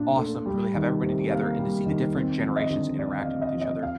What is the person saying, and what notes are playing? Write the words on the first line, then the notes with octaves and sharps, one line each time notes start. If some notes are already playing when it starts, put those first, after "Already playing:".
awesome to really have everybody together and to see the different generations interacting with each other.
Already playing: A#2 D4 F4
A3
G3
D#3
C3
A#3 F5
G3
D#3
C4
F3
D#5
D3
D3 D5
F5
C4
D#5
F3
D#5
F5